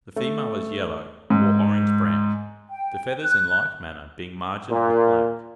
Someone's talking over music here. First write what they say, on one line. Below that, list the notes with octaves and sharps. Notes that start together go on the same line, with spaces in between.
The female is yellow, or orange-brown, the feathers in like manner being margined with black.
A3
G#2
G5
F#6
A#2